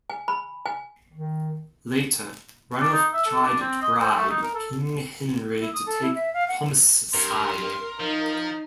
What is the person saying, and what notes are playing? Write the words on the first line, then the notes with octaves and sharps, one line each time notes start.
Later, Ranulf tried to bribe King Henry to take Thomas' side.
G#5
B5
G#5
D#3
D4
D#4
E5
A4
D4
C4
D#5
C5
A3
D#4
A#4
A4
E4
D#6
A4
E4
E5
F5
F#5
G2 A#4 C6
F3 D#4